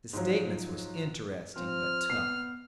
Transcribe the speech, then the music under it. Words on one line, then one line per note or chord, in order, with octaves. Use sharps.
The statements was interesting, but tough.
G#2 F3 F#3
F3 C4 F6
B3 C7